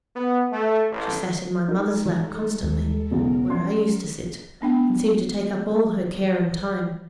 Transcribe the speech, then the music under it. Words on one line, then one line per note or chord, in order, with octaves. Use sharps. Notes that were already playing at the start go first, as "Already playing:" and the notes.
She sat in my mother's lap constantly, where I used to sit, and seemed to take up all her care and time.
B3
A3
A1
G3 G#3 D#4 A4 A#4
E3
D#2
B1 E2 C#3 F#3 A#4
C#4 D5 C6
A3 B3 D4 G5